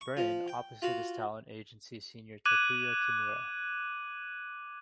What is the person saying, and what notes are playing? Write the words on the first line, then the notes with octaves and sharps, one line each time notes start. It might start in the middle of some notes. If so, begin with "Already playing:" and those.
Brain, opposite his talent agency senior Takuya Kimura.
C#6
F3
G5
F4 F#4
D6 F#6 G#6 D#7 F#7